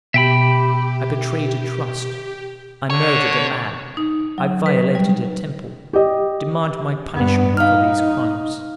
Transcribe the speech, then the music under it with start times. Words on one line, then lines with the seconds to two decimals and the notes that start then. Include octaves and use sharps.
I betrayed a trust, I murdered a man, I violated a temple: demand my punishment for these crimes.
0.14 B2 G4 E5 G5 B5
2.90 D3 C#5
3.97 D#4
4.38 F#3
4.66 B4
4.95 G3
5.93 G4 D#5
7.13 G2 B3
7.57 D#4 F5 F6